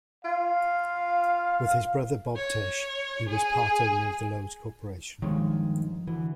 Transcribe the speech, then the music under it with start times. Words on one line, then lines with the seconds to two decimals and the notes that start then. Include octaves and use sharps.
With his brother Bob Tisch, he was part owner of the Loews Corporation.
0.25 F4 F5
2.37 C#5
3.29 G#4
5.22 G2 D#3 F3 G#3 C#5
6.07 D2 E3